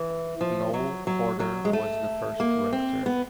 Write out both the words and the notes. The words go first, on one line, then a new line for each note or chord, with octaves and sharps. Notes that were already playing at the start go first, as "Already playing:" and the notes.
Noel Porter was the first rector.
Already playing: E3
F3
F#3
F#3
F#3
G#3
A3
A#3
C4
B3